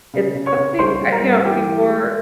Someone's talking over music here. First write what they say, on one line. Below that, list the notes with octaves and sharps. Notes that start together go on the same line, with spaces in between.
it's something, I you know, before
C#3
C#3
C#5 C#6
C#3
G3 C5 C6
G3
A#4 A#5
G2
E3 G4 G5
E3
G#3